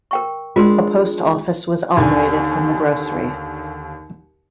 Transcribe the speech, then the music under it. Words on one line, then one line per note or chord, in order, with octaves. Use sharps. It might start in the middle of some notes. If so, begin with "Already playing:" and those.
A post office was operated from the grocery.
A#4 G5 C#6
G#3 D4 F4 A#4 C6
D#2 D3 G#5